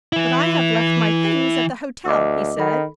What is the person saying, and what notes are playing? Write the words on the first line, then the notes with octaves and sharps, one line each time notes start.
"But I have left my things at the hotel," he said.
E3 E4
D2 D#5 D6 E6
D#3 A4 B5